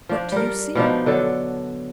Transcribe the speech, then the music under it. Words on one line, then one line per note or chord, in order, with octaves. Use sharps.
"What do you see?"
F3 D4
G3 A#4
B2 F3 D4 D#4
D3 F#3 A4